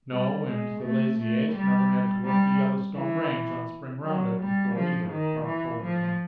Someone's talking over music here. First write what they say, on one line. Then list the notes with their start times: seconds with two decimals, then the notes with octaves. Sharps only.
"No, and the Lazy Eight never had to work the Yellowstone range on spring roundup before either," Park told her meaningly.
0.11 G3
0.46 G#3
0.82 A3
1.17 A3
1.53 G3
2.25 G3
2.96 E3
4.03 F#3
4.39 G3
4.74 F3
5.10 D#3
5.46 E3
5.81 F3